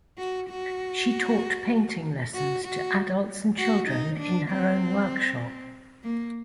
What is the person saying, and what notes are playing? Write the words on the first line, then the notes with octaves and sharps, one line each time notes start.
She taught painting lessons to adults and children in her own workshop.
F#4
F#4
F#4
F#4
F#4
D#4
D4
C4
A#3